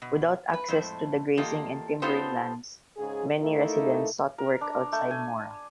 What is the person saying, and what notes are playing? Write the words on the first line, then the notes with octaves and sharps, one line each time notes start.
Without access to the grazing and timbering lands, many residents sought work outside Mora.
B2
B4
F2 A2 G#3 C5
E2 A#3 F4 G4 A4 D#5
B3 D#4 F4 G4 A4 C5
G#2 C#3 G#4
A3 A#3 D#4 E4 A4
A#4
D4
A3
G#5